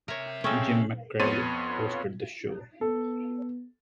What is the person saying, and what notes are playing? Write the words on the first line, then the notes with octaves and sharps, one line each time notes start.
Jim McKrell hosted the show.
C3 A#4 C#5 E5
C#3 C4 C#4 D#4 A4
F2 B3 C#5 C6 A6 D#7
B3 A4